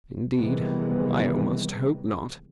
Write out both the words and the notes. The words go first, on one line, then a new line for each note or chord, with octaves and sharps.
Indeed, I almost hope not.'
C3 D#3 E3 G3 G#3 B3